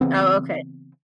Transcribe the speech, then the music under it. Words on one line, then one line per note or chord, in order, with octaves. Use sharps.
Oh, okay.
C#3 E3 B3 C4